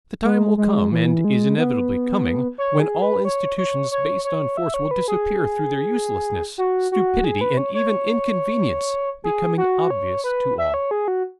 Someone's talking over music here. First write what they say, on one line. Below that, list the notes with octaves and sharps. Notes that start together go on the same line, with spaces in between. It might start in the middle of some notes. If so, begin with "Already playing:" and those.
The time will come and is inevitably coming when all institutions based on force will disappear through their uselessness, stupidity, and even inconvenience becoming obvious to all.
G#3
G#3
E3
G#3
B3
C#5
G#4
B4
C#5
C#5
C#5
C#5
E5
C#5
B4
G#4
F#4
F#4
G#4
B4
C#5
C#5
G#4
F#4
C#5
B4
E5
C#5
G#4
F#4